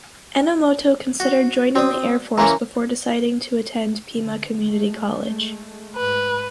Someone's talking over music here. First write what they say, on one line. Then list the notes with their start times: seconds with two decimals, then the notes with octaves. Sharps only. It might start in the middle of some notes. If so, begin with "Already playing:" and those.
Enomoto considered joining the Air Force before deciding to attend Pima Community College.
1.20 F#4
1.75 C4 F#4 D5 D#6
2.38 E3 A#3 C#4 A#5 C6
4.14 D3
4.64 G#3 A3
5.97 G#2 B4